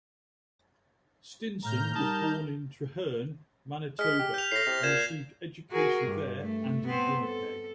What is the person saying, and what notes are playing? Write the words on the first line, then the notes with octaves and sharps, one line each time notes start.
Stinson was born in Treherne, Manitoba, and received education there and in Winnipeg.
A2 A#5 F6 G6
G3 D#4 A#4 A5
G#3 F6 B6
G4
G6 F7
A2 A#6 C7
C3
A#2 G6 G#6 E7
F#4 G#4 A#4
G2
A3
B3 C4 C5
A4